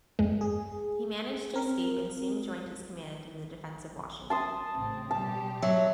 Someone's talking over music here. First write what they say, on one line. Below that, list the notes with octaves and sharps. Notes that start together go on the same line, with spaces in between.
He managed to escape and soon joined his command in the defense of Washington.
G1 F2 G#3
G#4
C4 A#4
A5 C6 D#6
A1 C#3 C4
B2 G3 G4 A5
F#3 E5